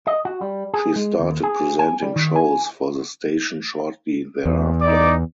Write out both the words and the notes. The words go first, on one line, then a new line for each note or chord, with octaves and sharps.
She started presenting shows for the station shortly thereafter.
D#5
F#4
G3
G#4
G#3
D#2
G#4
G#5
G3
D#3
G#5
E2
D#4 D5 D6